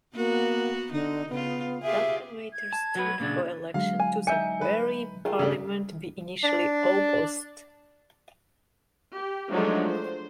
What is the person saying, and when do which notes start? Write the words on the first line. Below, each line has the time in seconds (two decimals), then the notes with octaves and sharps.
Duncan later stood for election to the very parliament he initially opposed.
0.15 A#3 B3 F#4
0.92 D3 D#4
1.29 C#3 B3 F4
1.83 F4 G4 G#4 E5
2.53 G#6
2.73 A5
2.95 F#3 F#4 B4
3.20 A#2 C#3 D4
3.74 D3 F#3 G#3 F5
4.00 G#5
4.27 D#4 E5 G#5 G6 C#7
4.61 B4
5.25 D#3 F4 G#4
5.39 C#3 A3 D4
6.44 D4
9.15 G4
9.51 F3 F#3 G#3 A3 D4 D#4
9.88 C5